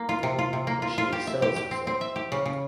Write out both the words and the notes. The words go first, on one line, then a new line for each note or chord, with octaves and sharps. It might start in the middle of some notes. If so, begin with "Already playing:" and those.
But she excels herself.
Already playing: A#3
F4
C3
F4
C3
A#3
F4
F4
G4
E5
G4
G4
C4
C4
E5
G4
C#3
C#3